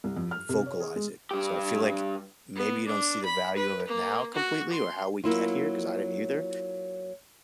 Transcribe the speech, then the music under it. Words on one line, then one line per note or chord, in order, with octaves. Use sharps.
vocalize it. So I feel like maybe you don't see the value of it now completely or how we get here, 'cause I didn't either.
C2
F2
F6
C3
C#5
G#4
G#3
G2 G4
B3
D4
B5
B4
A#3
F#4
C6
F#3 A#3 E4 F4